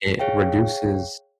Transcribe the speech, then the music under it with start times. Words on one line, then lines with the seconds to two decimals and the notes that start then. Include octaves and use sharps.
it reduces
0.19 G#4 C#5 F5 G5